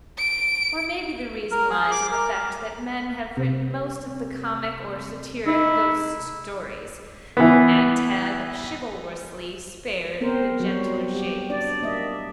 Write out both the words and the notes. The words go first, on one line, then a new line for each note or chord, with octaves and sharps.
Or maybe the reason lies in the fact that men have written most of the comic or satiric ghost stories, and have chivalrously spared the gentler shades.
D7
A#4
G#4
D6
A#4
C3
D#4 E4
E3 B3
B3 C4 A#4 C5
F#3 G3 F#4
G4
D4 D5
A#3 D#5 E5